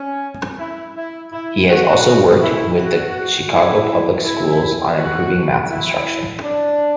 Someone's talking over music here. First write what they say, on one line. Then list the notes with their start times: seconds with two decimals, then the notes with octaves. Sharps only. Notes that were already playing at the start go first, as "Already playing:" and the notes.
He has also worked with the Chicago Public Schools on improving math instruction.
Already playing: C#4
0.58 E4
0.96 E4
1.32 E4
1.69 F#4
2.41 E4
2.78 F#4
3.52 E4
4.24 E4
4.97 F#4
5.70 E4
6.44 D4